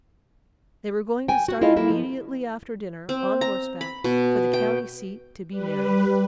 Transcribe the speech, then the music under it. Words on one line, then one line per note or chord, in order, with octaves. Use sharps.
They were going to start immediately after dinner, on horseback, for the county seat, to be married.
G5 G#5
F#4
E4 F4 G#4 D#5 F5
A#3 E4 A4
F3
C4
A#5
B5
B2
G5
G3 B4